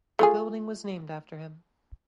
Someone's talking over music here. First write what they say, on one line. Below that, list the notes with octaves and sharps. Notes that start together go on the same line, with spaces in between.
The building was named after him.
A3 F4 G#4